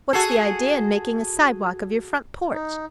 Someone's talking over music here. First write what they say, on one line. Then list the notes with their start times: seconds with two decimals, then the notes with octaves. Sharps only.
What's the idea in making a sidewalk of your front porch?
0.13 F#4 G#4 A4
2.54 D#4